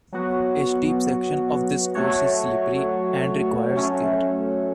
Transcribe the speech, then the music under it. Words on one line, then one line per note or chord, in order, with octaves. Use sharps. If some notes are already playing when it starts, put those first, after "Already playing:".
A steep section of this course is slippery and requires care.
F#3 B3 F#4
F#3 A3 F#4 C#5
F#3 A3 C#4